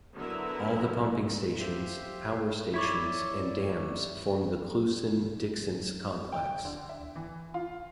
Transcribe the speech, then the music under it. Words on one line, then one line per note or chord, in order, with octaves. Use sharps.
All the pumping stations, power stations and dams form the Cleuson-Dixence Complex.
D3 F#3 B3 E4 A#4 E5
G4 C5 E5 F5
E4 C#5 D5
G5
D3
E5
E3
F4